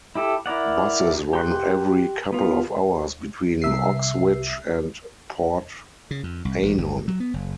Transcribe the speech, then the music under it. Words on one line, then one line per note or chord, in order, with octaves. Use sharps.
Buses run every couple of hours between Oxwich and Port Eynon.
E4 G4 A4
E4 A#4 D5 F#5
G4 C6 F#6
B3 F4
C2 E5 C7
C#3
F2
C2
A1
G1
F#3
B3
F#1